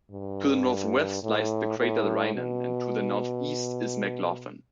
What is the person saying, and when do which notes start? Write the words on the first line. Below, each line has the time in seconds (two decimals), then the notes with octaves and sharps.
To the northwest lies the crater Rynin and to the northeast is McLaughlin.
0.11 G2
1.23 A2
1.78 A2
2.34 B2